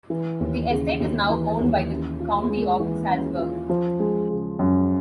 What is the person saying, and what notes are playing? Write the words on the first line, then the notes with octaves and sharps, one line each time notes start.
The estate is now owned by the county of Salzburg.
E3
D#2
C#3
D#2
E3
D#2
C#4
F4
G#3
E3
C#4
F4
F3
G#3
C#3
F#2